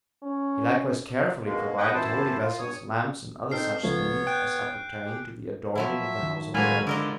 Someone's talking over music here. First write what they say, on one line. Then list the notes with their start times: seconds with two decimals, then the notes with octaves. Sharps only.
He likewise carefully provided holy vessels, lamps, and other such things as appertain to the adorning of the house of God.
0.23 C#4
1.45 B2 G#3 A#3
1.78 G#4 B4 D#5 F#5 G5
1.94 F#2 E3 E4 C5 A5
2.43 A#3 F4
2.59 G2 C#5 D#6
3.52 C4 D#4 A4 F6 C7
3.83 C#2 F3 A3 B3 C#5
4.27 G5 F#6 G6 D7
5.05 G4 G#4
5.75 F3 F#3 E4 E5
6.23 D#3
6.55 A2 F#3 G#3 A#3 C5 F5 G#5 B5
6.87 D3 E4 F4 A#4 D#5